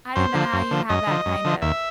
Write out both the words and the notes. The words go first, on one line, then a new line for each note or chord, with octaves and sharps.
I don't know how you have that kind of
F#2 C5
D3 F3
F#2
D3 F3
F#2 D#5
D3 F3
F#2
D3 F3
D#2 E5